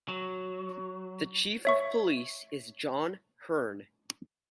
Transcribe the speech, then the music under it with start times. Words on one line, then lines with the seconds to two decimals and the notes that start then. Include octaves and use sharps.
The Chief of Police is John Hearn.
0.08 F#3
1.65 C#5 E5 C#6